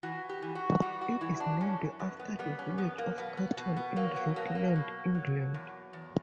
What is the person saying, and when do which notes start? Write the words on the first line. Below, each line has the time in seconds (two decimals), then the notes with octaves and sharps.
It is named after the village of Ketton in Rutland, England.
0.03 E3 F#4
0.29 G4
0.42 E3
0.55 F#4
0.82 G3 F#4
1.01 F#4
1.21 E3 E4
1.40 D4
1.61 F#2 C#4
1.99 F#2 B3
2.19 B3
2.39 G3 B3
2.59 C#4
2.78 F#2 B3
2.98 A#3
3.18 B2 B3
3.37 B3
3.57 B2 B3
3.77 B3
3.96 F#3 A#3
4.16 B3
4.36 B2 A#3
4.55 A#3
4.76 B2
5.15 F#3
5.54 E2
5.93 E2